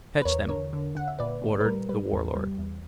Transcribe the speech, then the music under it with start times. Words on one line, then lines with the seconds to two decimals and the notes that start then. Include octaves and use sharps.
"Fetch them," ordered The Warlord.
0.22 B4
0.25 E2 A#4 C#5
0.49 D3 A#4 C#5
0.73 D3
0.95 D3 F#5
1.08 E5
1.19 A#2 B4 D5
1.42 A#2
1.60 B4
1.65 G3 A#4
1.89 G3 B4
2.13 E2
2.35 G3
2.58 E2